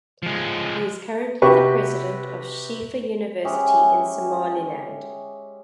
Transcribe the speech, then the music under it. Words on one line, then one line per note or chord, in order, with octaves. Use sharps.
He is currently the president of Shifa University in Somaliland.
F3 G#3
C3 F#4 G4 B4 C#6
G#3 C#4 E4 G4